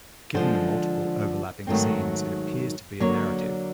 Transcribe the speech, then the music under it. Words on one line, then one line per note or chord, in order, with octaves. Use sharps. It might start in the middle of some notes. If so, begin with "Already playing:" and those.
Given the multiple overlapping scenes, it appears to be a narrative.
D3 F3 G#3 C5
G#2 D#3 F#3 A3 C4
D3 F#3 A#3 C#5